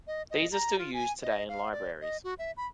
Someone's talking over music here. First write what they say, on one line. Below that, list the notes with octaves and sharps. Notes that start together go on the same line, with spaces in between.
These are still used today in libraries.
D#5
D#5
A#5
F4
G#5
D#5
F5
D5
D#5
F#4
E5
B5